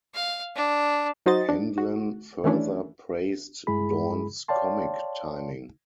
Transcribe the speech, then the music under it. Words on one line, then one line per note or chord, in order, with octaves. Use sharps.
Handlen further praised Dorn's comic timing.
F5
D4
F#3 D#4 F#4 C5 D#5 A6
D4
F#4
D#3 E3 A3 C#4 D4 E4
G2 G#3 E4 G#4 B5
C#5 D5 F5 G5 A5 C6